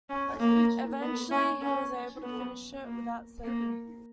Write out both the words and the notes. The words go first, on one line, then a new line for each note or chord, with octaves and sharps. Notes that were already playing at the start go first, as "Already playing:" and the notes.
Eventually, he was able to finish it without sleeping.
C#4
A#3
B3
C#4
C#4
B3
A#3
A#3